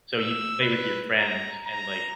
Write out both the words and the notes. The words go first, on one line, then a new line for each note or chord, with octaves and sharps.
So, you can play with your friends and, like,
E6
B4
A#5
A#5